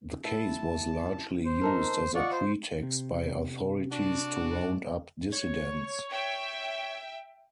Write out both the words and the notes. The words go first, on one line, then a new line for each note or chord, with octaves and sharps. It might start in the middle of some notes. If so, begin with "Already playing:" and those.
The case was largely used as a pretext by authorities to round up dissidents.
E4 A5
C5
D#4 A4 A#4
F4 D5 D#5 F#5 C#6
C5
C3
D4 F#4
C#5
E5 G5